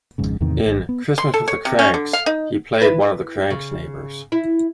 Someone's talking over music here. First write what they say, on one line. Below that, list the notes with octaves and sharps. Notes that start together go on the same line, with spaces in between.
In "Christmas with the Kranks", he played one of the Kranks' neighbors.
G#1 F2 G#2 C#3
E2 A2 C3 D#3
G#1
B3
C6
A4
C#5
C3
C#4
D3
F5
D#4
E4 B4
C#3
E4